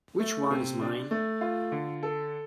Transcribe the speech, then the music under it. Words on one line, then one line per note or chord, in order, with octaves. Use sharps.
Which one is mine?
A3
C3
D4
A3
F4
D3
A4